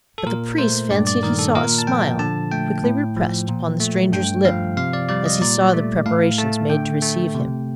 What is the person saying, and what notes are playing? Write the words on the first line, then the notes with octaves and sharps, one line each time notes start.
But the priest fancied he saw a smile, quickly repressed, upon the stranger's lip as he saw the preparations made to receive him.
A4
A#2 A#4
A3 C5
G2 D5
D5
D#3 A#4
A4
A#2 A#4
A5
F3 G5
D3 A5
A3 G5
A2
F3
A#2
A3
G2 G5
F3 F5
C3 F5
D5
G3 D5
D#5
A#2 D5
A3
A2 F5
A3 A5
D3 G5
A3
C3